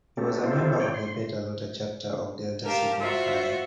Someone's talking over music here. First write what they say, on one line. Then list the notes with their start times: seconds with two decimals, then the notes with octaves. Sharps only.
He was a member of the Beta Iota chapter of Delta Sigma Phi.
0.17 A3 B3 C#4 G4 A4
0.44 C4 E4 F4 G4 A4 C5
0.80 E4 C#5 D5 G5
0.94 C6
2.65 G4 A#4 F5 A5
2.99 F4 F#4 C5 E5